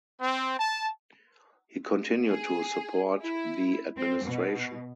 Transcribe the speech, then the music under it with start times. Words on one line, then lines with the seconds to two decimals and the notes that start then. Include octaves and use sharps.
He continued to support the administration.
0.21 C4
0.59 A5
2.28 G#4
3.21 E4
3.96 C4
4.26 B2